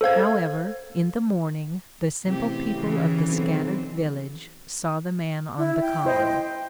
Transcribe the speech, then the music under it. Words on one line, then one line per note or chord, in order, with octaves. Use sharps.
However, in the morning the simple people of the scattered village saw the man on the column.
A4 C5 F5 G#6
A1 C3 G4
C#3 E3
B1 C4
E4
G5
E4 C5 D#5